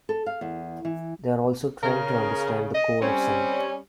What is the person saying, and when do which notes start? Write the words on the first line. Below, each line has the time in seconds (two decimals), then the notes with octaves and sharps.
They are also trained to understand the Cone of Scent.
0.09 A4
0.26 F5
0.41 E2
0.85 E3
1.83 C#3 A#4
2.74 D#5
3.02 G3 C4 C#4